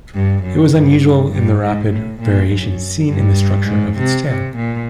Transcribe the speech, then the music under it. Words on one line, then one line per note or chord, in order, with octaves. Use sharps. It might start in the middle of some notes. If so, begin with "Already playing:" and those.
It was unusual in the rapid variations seen in the structure of its tail.
G2
F#2
G2
G2
G#2
A2
A#2
F#2
G2
G#2
C3
C3
A#2